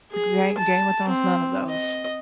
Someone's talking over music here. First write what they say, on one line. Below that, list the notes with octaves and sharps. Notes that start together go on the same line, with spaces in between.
Gain Game of Thrones, none of those.
G#4
A5
C4
D#5